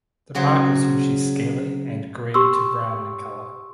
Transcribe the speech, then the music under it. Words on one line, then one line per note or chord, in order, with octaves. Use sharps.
The bark is usually scaly and grey to brown in colour.
C#3 F#3 F#4 G#4 C5
G4 C6 C#6 E6